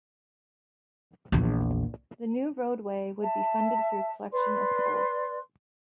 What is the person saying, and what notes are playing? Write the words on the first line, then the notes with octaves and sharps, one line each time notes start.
The new roadway would be funded through collection of tolls.
A#1 E2
E5 A5
B4 D5 C6